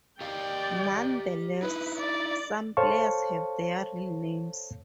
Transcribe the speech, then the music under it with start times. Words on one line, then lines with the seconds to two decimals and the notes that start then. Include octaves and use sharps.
Nonetheless, some players have their real names.
0.21 G4 D5 D#5 F5 G5
1.62 D#4 E4 B4
1.99 D5
2.77 A4 C5 C#5 F5 A5 C#6